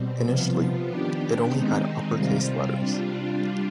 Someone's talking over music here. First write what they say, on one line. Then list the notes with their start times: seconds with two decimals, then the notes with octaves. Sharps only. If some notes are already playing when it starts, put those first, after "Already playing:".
Initially, it only had upper-case letters.
Already playing: B2 G3 C4
0.25 C3 F3 B3 F4
0.88 D#3 B3 D4 G4
1.50 D#3 G#3 C4 D#4
2.14 C3 G3 C4 F4
2.77 G3 D4 F4